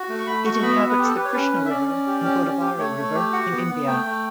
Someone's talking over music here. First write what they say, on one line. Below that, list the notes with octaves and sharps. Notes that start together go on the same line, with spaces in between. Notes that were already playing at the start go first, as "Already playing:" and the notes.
It inhabits the Krishna River and Godavari River in India.
Already playing: F#4
A3
C#6
A3 B5
F#4 C#6
C#6
B3 B5
E5
B3
B4
G4
A4
G4 B4
C#5
C#4 B4
C#4
E5
C#4 D5
C#4
G4
C#4
C#4
G4
A3 C#5
A3
G4
F#4 F#5
B3
B3
A3 G5
A3